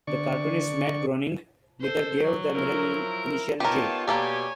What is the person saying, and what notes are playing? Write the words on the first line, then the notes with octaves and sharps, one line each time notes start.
The cartoonist Matt Groening later gave the middle initial J.
D3 D5 C#6
A4 C5
F#3
F3 E4 A#4
B3 D#4 F4 G4 A#4 C#5 A5
B2 A#3 G4 A4 C#5 D5 G#5